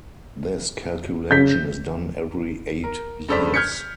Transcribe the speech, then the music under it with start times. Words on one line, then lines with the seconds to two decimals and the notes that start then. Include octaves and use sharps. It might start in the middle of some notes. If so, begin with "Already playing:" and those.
This calculation is done every eight years.
1.31 C#3 G6 B6
2.84 A#4
3.29 G2 C#3 A4 C5 D5 B6
3.54 F6 G6 G#6 B6 C#7